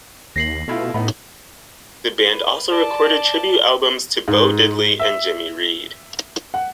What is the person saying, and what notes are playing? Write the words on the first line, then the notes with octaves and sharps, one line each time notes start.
The band also recorded tribute albums to Bo Diddley and Jimmy Reed.
D#2 A#6 C7 F#7
B2 A3 E4 F4
A2 B3 D#4 B5
B4
D5 A5
G#2
E5
F#5